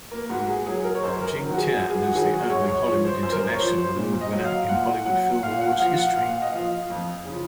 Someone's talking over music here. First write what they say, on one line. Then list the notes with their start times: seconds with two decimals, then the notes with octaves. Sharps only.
Jing Tian is the only Hollywood International Award winner in Hollywood Film Awards history.
0.11 A#3
0.30 G#2 F#4
0.48 G#4
0.66 F#3 G#4
0.84 A#4
0.95 C#5
1.03 F#2 C5
1.21 A#4
1.39 D#3 F#3
1.52 F#4
1.58 G#4
1.76 F#2 F#4
1.90 G#4
2.02 F#4
2.13 D#3 F#3 G#4
2.30 F#4
2.50 F#2 C#5
2.68 C#5
2.86 F3 C#5
3.05 C5
3.23 F#2 C5
3.32 A#4
3.41 C5
3.53 C#5
3.59 F3 C5
3.78 C5
3.96 A#2
4.21 D#5
4.33 F#3
4.45 F5
4.69 A#2 F#5
5.05 F#3 F#5
5.43 A#2 F5
5.61 F#5
5.72 F#5
5.79 F3 F5
5.98 F#5
6.16 A#2 F5
6.42 D#5
6.53 F3 F5
6.90 F2
7.25 C#3 F3